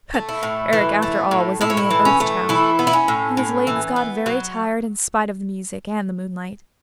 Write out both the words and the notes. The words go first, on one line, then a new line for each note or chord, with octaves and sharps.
But Eric, after all, was only an Earth Child, and his legs got very tired in spite of the music and the moonlight.
A3
E4
A2
E3
A3
A2
A2 E4
C#4
E4
E3
C#4
A3
E3 E4
B3
E4
C#4
A2
A2
E3
B3
F#3